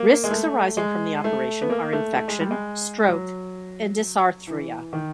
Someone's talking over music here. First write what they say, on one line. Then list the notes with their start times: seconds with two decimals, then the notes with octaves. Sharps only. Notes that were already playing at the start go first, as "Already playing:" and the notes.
Risks arising from the operation are infection, stroke and dysarthria.
Already playing: A#3
0.24 G#3
0.31 A3
0.77 G#3
1.24 A3
1.62 B3
1.70 A#3
1.92 A3
2.16 A3
2.28 G#3
2.40 G3
2.51 G#3
3.08 F#3
4.47 E3
4.93 D#3